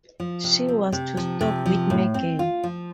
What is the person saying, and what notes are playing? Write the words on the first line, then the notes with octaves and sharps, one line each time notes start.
She was to stop with Megan.
F3
C3
C4
C3
F3
C3
F3
A2
C4
F4
F3